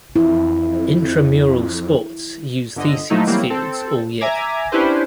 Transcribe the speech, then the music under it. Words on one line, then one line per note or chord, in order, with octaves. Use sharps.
Intramural sports use theses fields all year.
F2 E4
G1 D3 D#5
F3 F#3 A3 D#4 E4
E3 F#3 G3 A#3 C4
C4 A4
E5 G#5 A#5 D6 G#6
C#4 D4 E4 G4 B4 C5